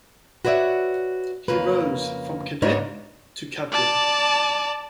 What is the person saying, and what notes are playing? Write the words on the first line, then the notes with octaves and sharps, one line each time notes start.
He rose from Cadet to Captain.
F#4 B4 C#5 D5 E5
F2 C#3 A#3 B4
G#2 C#3 D4 D#4 C#5
D5 A5